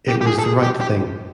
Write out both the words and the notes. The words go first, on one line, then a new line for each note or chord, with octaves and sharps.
It was the right thing.
G4
G4
G#4
A4
G#4
G4
G4